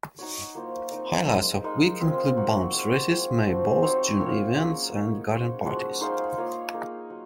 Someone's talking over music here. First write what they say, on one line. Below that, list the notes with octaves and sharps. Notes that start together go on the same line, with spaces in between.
Highlights of the week include Bumps races, May Balls, June Events and garden parties.
D#4 F#4 C#5
F#3 A#3 F4 C5
C4 D#4 A#4 D#5
G#3 D#4 A#4 D#5
G#3 D#4 A#4
C4 F4 G#4
D#4 F#4 A#4
D#4 G#4 C5 D#5
G#3 C4 F4 G#4
F3 C4 F#4 C5
C4 D#4 F#4 C#5
C4 F4 A#4 C#5
F#3 A#3 C#4 G#4
D#4 A#4 C#5 F5
C#4 F#4 C5
F3 G#3 C#4 F#4
D#4 G#4 C5 F5
A#3 F4 A#4 C#5
A#3 D#4 G#4
F#3